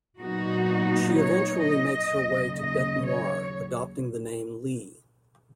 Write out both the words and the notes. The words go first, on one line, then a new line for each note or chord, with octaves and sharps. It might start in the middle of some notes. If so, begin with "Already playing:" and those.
She eventually makes her way to Bete Noire, adopting the name "Lee".
A#2 F#3 B3 D#4 F#4
C#5
D#5
D#2 C#3 F#3
D#5
C#5